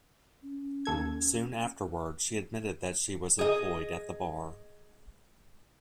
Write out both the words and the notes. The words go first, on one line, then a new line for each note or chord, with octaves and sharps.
Soon afterward, she admitted that she was employed at the bar.
C#4
D#2 A4 G#6
G#4 D#5